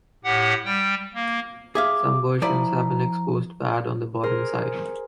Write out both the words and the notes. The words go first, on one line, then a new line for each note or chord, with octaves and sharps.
Some versions have an exposed pad on the bottom side.
A2 G4 F#5
G3 G5
A#3
G#4 E5 F5 D6
F3 E4 D5 A#5
G#4 A#4 C5